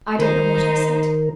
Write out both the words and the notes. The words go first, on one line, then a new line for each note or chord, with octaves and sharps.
I don't know what I said.'
D#3 D#4 A#4 C5